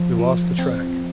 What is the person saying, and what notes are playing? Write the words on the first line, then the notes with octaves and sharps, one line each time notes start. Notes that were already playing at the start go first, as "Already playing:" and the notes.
We lost the track.
Already playing: F3
F3
C4